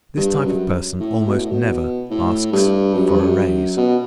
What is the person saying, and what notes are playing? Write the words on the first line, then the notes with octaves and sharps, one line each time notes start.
This type of person almost never asks for a raise.
G2
F#2
A2
B2
A2
B2
A2
G2
F#2
G2
F#2
B2